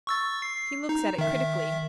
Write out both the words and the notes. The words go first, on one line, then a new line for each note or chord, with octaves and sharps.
He looks at it critically.
C#6 E6 A6
C7
D#4
D#3 E5